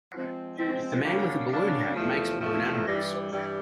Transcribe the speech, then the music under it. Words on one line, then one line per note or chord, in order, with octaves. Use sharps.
A man with a balloon hat makes balloon animals.
F3 G#3 C4
F3 G#3 C4
C#3 F#3 A#3 D4
C#3 F#3 A#3 D4
E2 C3 F3 A3
E2 C3 F3 A3
G2 E3 G3
G2 E3 G3